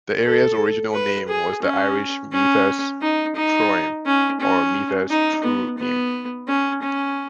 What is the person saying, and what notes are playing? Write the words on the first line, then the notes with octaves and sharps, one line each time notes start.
The area's original name was the Irish "Meathas Troim" or "Meathas Truim".
A4
B4
G#4
C#4
C#4
D#4
D#4
C#4
C#4
D#4
B3
B3
C#4
C#4